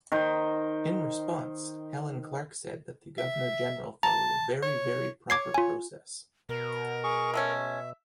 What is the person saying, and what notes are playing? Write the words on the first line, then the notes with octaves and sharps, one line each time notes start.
In response, Helen Clark said that the Governor-General followed a "very, very proper process".
D#3 C5
E5
A5 A#5
C#5
C#5 D6 G#6 C7
F4 G#5
B2 A#4
G#4 C#6
G#3 A3 C#4 E5